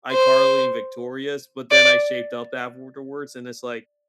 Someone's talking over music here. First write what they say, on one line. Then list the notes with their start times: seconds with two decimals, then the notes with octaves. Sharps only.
iCarly and Victorious, but then I shaped up afterwards, and it's like
0.12 C5
1.71 D5